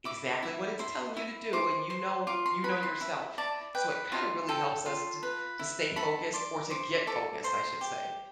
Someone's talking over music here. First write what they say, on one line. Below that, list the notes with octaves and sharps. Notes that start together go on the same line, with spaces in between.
exactly what it's telling you to do, and you know you know yourself. So it kind of really helps us to to stay focused or to get focused, I should say,
E4 D6
E4
E4 C6
E4
C5 D6
C5 C6
F4 D6
C6
B4 B5
C6
E4 B5
D5 A5
B4 G5
F4 F5
A4 G5
F4
B4
E4
A4 B5
D5 C6
C5 D6
A4 D6
C5 C6
G4